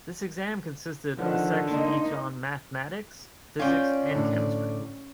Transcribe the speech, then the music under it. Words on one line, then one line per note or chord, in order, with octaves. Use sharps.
This exam consisted of a section each on Mathematics, Physics and Chemistry.
D3 D#3 F3 F#5
A#3 D4 D#4 C6
C#4 F4 D5 G5
A2 D3